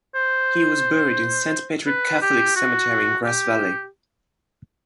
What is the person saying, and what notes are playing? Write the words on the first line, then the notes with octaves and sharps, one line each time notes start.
He was buried in Saint Patrick Catholic Cemetery in Grass Valley.
C5
B4
G4
F#4
G4